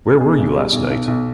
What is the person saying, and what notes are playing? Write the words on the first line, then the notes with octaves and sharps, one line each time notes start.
Where were you last night?
B2 G#4
B1
G3
B1
B1
B1